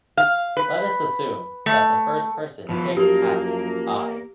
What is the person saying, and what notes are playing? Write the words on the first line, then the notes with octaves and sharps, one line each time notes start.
Let us assume that the first person takes hat "i".
F5
B4
A3
B2 E3 F3 F4
F#2 A#3 G4